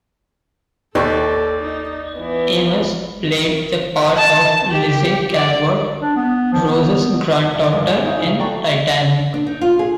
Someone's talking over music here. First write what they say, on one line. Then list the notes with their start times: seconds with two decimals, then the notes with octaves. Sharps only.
Amis played the part of Lizzy Calvert, Rose's granddaughter, in "Titanic".
0.95 D#2 G4 A4 D5 C#6
1.60 D#4
2.15 E3 B3
4.17 A5
4.70 G4
5.33 D5
6.01 D4
6.16 B3
6.53 F3
6.69 B3
7.56 E5
7.73 A#1 G2 G#3
8.05 D#4 E4 C#5 E5 F5 G#5
8.21 C#3 E4
8.39 F#4 A4 D5 G5 A#5 C#6
9.34 D4
9.47 D#4
9.61 F4
9.79 G#4